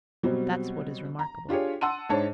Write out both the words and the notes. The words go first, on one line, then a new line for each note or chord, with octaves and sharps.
That's what is remarkable.
B2 F#3 G3 C4
A#5
D4 F4 G4 G#4 C#5
F#5 A5 C6 E6 D#7
G#2 D4 C5 C#5 A5